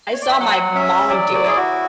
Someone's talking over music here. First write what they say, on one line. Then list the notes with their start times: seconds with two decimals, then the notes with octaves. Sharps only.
I saw my mom do it.
0.13 C#5
0.22 D5
0.30 E5
0.40 F#3 F#5
0.74 C#4 E5
1.09 F#3 D5
1.34 D5
1.45 E4 G#4
1.56 F#4